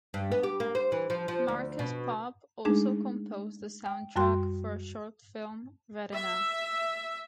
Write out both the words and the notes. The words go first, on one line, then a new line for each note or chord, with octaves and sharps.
Markus Popp also composed the soundtrack for a short film Retina.
G2
B3
G4
A#3
C5
E3
F3
F3
D2
B2
G#3 A3 D4 D#4 G#4
G5
F#2 G3 F#4 G5 C6
E5